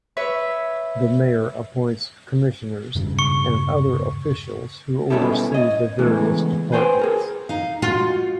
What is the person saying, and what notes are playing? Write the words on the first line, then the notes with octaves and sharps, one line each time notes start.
The mayor appoints commissioners and other officials who oversee the various departments.
B4 C#5 E5
E1 G2 C#3
C#6 C#7
B2 G3 C#4 E4 G4 A4
C#5 D#5
E2 C#3 E3 G#3 A3
B4 C5 G5 G#5 B5 C6
G#4 A#4
D#4 F5
D#4 F4 F#4